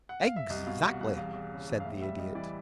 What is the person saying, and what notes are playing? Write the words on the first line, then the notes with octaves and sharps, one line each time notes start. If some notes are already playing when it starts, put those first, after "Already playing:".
"Exactly," said the Idiot.
F#5
F5
E5
C2 D#5
B2 F5
C2 F#5
C2 F#5
E2 F5
E2
C#3
E2
F5
A2 E5
G3 E5
G3 D#5
E3 D5